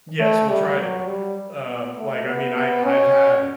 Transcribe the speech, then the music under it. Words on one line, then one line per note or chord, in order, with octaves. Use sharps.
Yes, we'll try it anyway. Um, like, I mean, I I've had,
A3
G3
F#3
G3
B3
A3
B3
B3
C#4